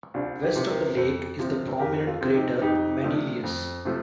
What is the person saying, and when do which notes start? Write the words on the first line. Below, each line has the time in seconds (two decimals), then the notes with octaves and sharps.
West of the lake is the prominent crater Manilius.
0.14 C2 D4 F4
0.42 D#4 G4
0.56 C3 F3
0.70 G4 A#4
0.97 F2 A4 C5
1.39 C3 F3 C4
1.79 F2 G4 A#4
2.07 F4 A4
2.21 C3 F3 C4
2.34 D#4 G4
2.62 F2 D#4 G4
3.03 C3 F3 A3 D4
3.44 F2
3.85 C3 F3 A3